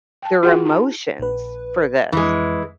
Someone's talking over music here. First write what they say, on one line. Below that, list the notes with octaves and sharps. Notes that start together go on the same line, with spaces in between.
their emotions for this.
G5 A5
F4 F#4 G#4 F#5 G5 C6
D#4 A5
A#1 B4
F2 E3 G#3